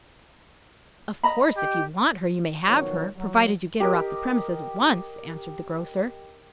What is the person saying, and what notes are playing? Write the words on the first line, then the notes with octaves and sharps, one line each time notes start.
"Of course if you want her you may have her, provided you get her off the premises at once," answered the grocer.
D#5 A#5 B5
G4
B2 D#3 F3 F#3 C#5
F#3
G4 A#4 D#5